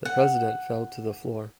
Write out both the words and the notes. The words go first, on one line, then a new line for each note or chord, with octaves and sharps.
The President fell to the floor.
F#5